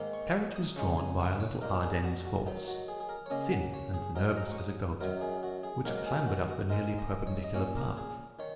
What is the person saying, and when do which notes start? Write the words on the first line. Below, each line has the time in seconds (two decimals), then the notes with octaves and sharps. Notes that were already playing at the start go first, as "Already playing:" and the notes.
The carriage was drawn by a little Ardennes horse, thin and nervous as a goat, which clambered up the nearly perpendicular path.
Already playing: G#2 D#3 A#3 D#4
0.13 C#6
0.33 C#6
0.56 D#6
0.76 C#3 G#3 D#4 C#6
0.98 G#5
1.19 F#5
1.40 C#5
1.61 A#2 A#3 D#4 A#4
1.82 G#4
2.04 F#4
2.25 F#4
2.46 D#3 F#3 D#4
2.68 F#4
2.88 G#4
3.00 G#4
3.09 A#4
3.26 C#5
3.30 C#3 A#3 C#4 D#5
3.52 F#5
3.74 C#5
3.94 G#4
4.15 G#2 F#3 D#4 A#4
4.36 A#5
4.52 C#6
4.58 D#6
5.01 F#2 D#3 F#3 A#4
5.21 G#4
5.43 F#4
5.63 G#4
5.85 G#2 D#3 F#3 A#3 A#4
5.97 A#4
6.06 G#4
6.27 F#4
6.48 F#4
6.69 G#2 G#3 D#4 A#4
6.98 D#5
7.27 C#5
7.44 D#5
7.54 A#2 A#3 C#4 C#5
7.76 A#4
7.97 G#4
8.39 D#3 C#5